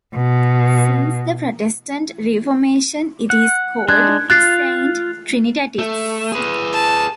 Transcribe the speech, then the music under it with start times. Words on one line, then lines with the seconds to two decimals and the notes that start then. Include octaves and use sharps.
Since the Protestant Reformation it is called Saint Trinitatis.
0.16 B2
3.30 F#5
3.88 G#3 D4 F#6 G#6
4.30 F4 F#6 A6 C7
5.79 A3
6.32 G#4 B4
6.73 A5